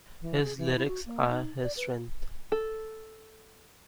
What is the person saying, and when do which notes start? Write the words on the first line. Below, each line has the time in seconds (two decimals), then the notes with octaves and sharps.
His lyrics are his strength.
0.21 E3
0.43 G#4
0.58 E3
0.76 E4
0.87 F#4
1.06 A#3
1.29 D#4
1.63 D5
1.77 B4
2.52 A4